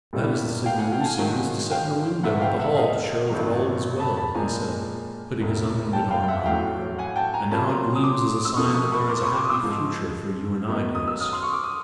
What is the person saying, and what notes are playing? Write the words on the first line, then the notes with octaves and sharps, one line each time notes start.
"That is the signal Lucy used to set in the window at the Hall to show that all was well," he said, putting his unwounded arm round the girl, "and now it gleams as a sign that there is a happy future for you and I, dearest."
A#1 A#2 G3 B3 E4
F5 G5
F#5 G#5
F5 G5
A5
F#5 G#5
A1 G#2 D#3 F#3
F5 G5
A#1 G#2 D#3 E5 F#5
F5 G5
E5 F#5
D#5 F5
A1 G2 D#3 F#3
A5 B5
A5 B5
A#2 F3 G#3 C4 G#5 A#5
E1 D2 C3
G5 A5
F5 G5
G5
E5 F#5
A1 A2 F#3 F5 G5
F#5 G#5
G5 A5
G#5 A#5
A#2 F#3 A#3 C#4 F4 A5 B5
A#5 C6
D#6
C6 D6
E6
F2 C3 F3 A#3 C#6 D#6
C#6 D#6
B5 C#6
C6 D6
B5 C#6
C6 D6
D#6
D6 E6
G#2 F3 G#3
F#2 D#3 F#3 B3 D#4
D#6
E6
D#6 F6
C6
C#6
D6
D#6